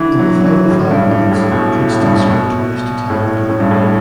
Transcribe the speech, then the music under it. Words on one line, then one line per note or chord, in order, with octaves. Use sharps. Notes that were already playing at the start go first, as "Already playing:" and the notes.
In the final five minutes Princeton scored twice to tie the game.
Already playing: D3 E3
F#3
F#3
E3
A2
G2
G2
A2
B2
A2
G2
A2
B2
A2
A2
G2
A2